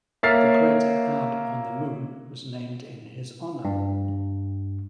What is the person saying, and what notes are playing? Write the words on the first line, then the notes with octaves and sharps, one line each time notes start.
The crater Abbe on the Moon was named in his honour.
A#3 C#5 E5 F6 A6 C7
G2